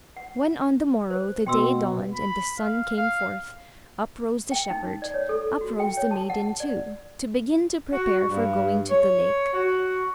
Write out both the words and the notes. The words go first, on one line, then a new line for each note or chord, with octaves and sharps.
When, on the morrow, the day dawned and the sun came forth, up rose the shepherd, up rose the maiden too, to begin to prepare for going to the lake.
F#5
C5
B2 F#4 G5 C6 E6
B5
F5
F5
G5
D#4
D5
C#5
A4
F#4
G5
C#5
A5
F#5
D5
F#4
G2
C#5
F#4